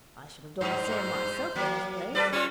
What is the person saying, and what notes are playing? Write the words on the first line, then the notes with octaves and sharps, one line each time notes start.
I should have done the same myself in his place.'
G2 C5
F#3 A#3
G3 A4 B4 D5
G3 C#4 F4